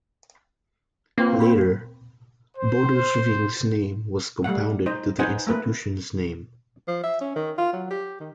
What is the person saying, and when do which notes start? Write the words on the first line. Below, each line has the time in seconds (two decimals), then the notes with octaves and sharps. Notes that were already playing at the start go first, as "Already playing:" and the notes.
Later Bodelschwingh's name was compounded to the institution's name.
1.18 A#3 C4 F4 B4 C5
1.38 A#2 B5
2.57 C5
4.44 G3 A3 F5 F#5
4.86 D#4 C5 D#5
5.19 D#4 B4 C5 D#5 F#5 G#5
5.47 A3 A#3 A#4 B4
6.87 F3
7.04 E5
7.21 C#4
7.36 D#3
7.58 F4
7.73 F#3
7.91 G4
8.20 D#3